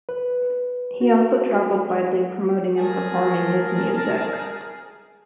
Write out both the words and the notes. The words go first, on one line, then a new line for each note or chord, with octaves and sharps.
He also traveled widely promoting and performing his music.
B4
F#4
G#4 A#4 A5